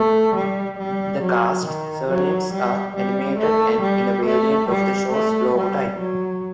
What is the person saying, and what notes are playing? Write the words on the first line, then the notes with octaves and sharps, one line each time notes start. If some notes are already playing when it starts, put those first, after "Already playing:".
The cast's surnames are animated and in a variant of the show's logotype.
Already playing: A3
G3
G3
F#3
D#3
F#3
G3
G3
A3
G3
A3
G3
A3
G3
F#3